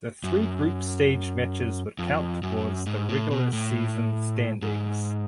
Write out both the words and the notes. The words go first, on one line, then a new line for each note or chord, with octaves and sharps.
The three group stage matches would count towards the regular season standings.
F#2
F2
F#2
G#2
A2
B2
A2
G#2